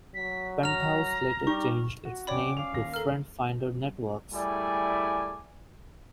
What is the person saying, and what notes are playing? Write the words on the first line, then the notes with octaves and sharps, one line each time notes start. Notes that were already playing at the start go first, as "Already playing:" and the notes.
Penthouse later changed its name to FriendFinder Networks.
F#3 B6
A#5 F6 F7
G3 D#4 C#6
F#4
C#4 C#5 D5 G5 B5 D6
F5 D6 F7
D#2 A#6
A4 A#4 F6
G3 A3 E4 G#4 D5 G#5